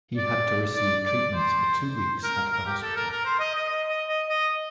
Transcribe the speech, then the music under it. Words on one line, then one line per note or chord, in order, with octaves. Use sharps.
He had to receive treatments for two weeks at the hospital.
D5
D5
D5
C5
C5
A#4
A#4
G4
A4
A#4
A#4
C5
D#5
D#5
D#5
D#5
D#5
D#5